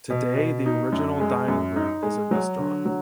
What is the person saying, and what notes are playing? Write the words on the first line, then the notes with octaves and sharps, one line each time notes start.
Today the original dining room is a restaurant.
B2
B2
D#4
F#2
G#3
F#2
D#4
G#3
F#3
D3
F#3